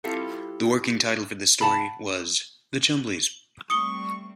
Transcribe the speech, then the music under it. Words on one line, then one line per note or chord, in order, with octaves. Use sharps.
The working title for this story was "The Chumblies".
G3 C4 E4 F4 G4 A4
F#5 A5 B5
G3 A3 C4 C#6 D#6 C#7 G7